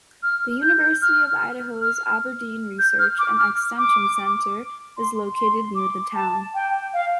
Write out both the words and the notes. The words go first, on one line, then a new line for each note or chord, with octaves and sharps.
The University of Idaho's Aberdeen Research and Extension Center is located near the town.
F6
G6
F6
F6
G6
F6
D6
F6
D6
C6
C6
D6
A5
G5
F5